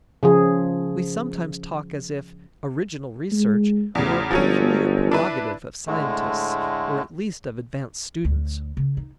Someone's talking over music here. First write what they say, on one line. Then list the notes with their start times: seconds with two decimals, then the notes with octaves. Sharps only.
We sometimes talk as if "original research" were a peculiar prerogative of scientists or at least of advanced students.
0.23 C#3 F3 G#4
3.32 G#3
3.95 A1 E2 C#3
4.31 G1 F3 F#3 C#4
5.12 D4 E4 B4
5.87 A2 D3 G#3 A3
8.25 D2
8.77 C#3
8.97 D#4